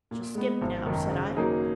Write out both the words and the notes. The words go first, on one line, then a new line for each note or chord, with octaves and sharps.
"She'll skip now," said I.
A#2
G#3 B3
G#1
F#2 D#3
C#3
F#3 A#3 D#4 G#4